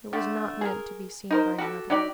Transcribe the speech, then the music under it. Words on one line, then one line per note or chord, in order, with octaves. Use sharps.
It was not meant to be seen by another.
D3 A3 G4
G#4 A#4
D#4 A#4 C5
F#4 G4 A4
F#3 D#4 G4 D5